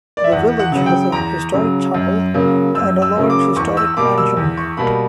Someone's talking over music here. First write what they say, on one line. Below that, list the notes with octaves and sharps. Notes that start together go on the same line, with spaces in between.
The village has a historic chapel, and a large historic mansion.
D5
E5
E2 F#5
F#5
C#3 F#3
G5
E2 A#5
C#3 F#3
F#2
C#3 F#3 A#3
F#2 E6
E6
C#3 F#3 A#3
D6
E2 C#6
E6
B2 G3 A#3 D6
E6
E2
C#6
B2 G3 A#3 B5